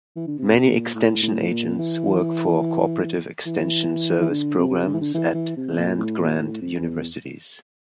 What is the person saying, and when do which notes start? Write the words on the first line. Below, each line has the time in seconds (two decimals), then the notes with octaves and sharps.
Many extension agents work for cooperative extension service programs at land-grant universities.
0.16 E3
0.27 D3
0.39 C3
0.67 A#2
0.95 A2
1.23 A2
1.51 A#2
1.78 E3
3.46 E3
4.21 E3
4.31 D3
4.59 C3
4.87 D3
4.93 E3
5.00 D3
5.14 E3
5.35 E3
5.57 C3
5.78 A#2
5.98 A2
6.19 A#2
6.40 A2
6.61 F2
6.81 E2